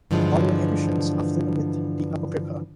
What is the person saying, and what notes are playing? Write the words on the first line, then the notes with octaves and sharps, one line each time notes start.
Modern editions often omit the Apocrypha.
G2 D3 E3 F3 G3 G#3